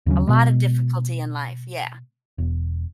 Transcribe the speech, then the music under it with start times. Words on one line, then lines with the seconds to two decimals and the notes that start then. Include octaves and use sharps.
A lot of difficulty in life, yeah,
0.06 D#2 C#3 F#3 C#4
0.27 B2 G#3
2.38 E1